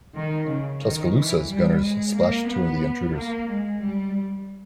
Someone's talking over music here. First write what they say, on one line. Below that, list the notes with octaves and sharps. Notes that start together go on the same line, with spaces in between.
"Tuscaloosa"s gunners splashed two of the intruders.
D#3
C#3
D#3
E3
G3
G#3
A#3
B3
A#3
G#3
G3